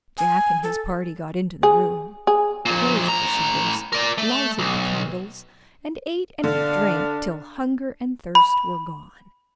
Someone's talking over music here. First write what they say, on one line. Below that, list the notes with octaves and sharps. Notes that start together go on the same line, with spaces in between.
Jack and his party got into the room, closed the shutters, lighted the candles, and ate and drank till hunger and thirst were gone.
G#5
A4
G#4
G#4
F2 A#2
A2 A#5
A#4 D5
A3
B1
D3 D4 D5 F5
B5